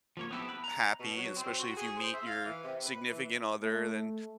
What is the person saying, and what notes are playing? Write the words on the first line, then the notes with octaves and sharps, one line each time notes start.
happy, especially if you meet your significant other, then
F3 A#3 C#5
B3 C4 E4 G4 A4
B4
A#5
B2
F#3
C4
F#4
G#4
C5
E5
F5
E3
C3
B4
E3
A3